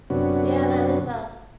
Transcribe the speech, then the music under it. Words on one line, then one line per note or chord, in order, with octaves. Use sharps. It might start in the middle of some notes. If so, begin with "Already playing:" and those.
Yeah, that is wild.
F#2 C3 B3 C#4 D4 F#4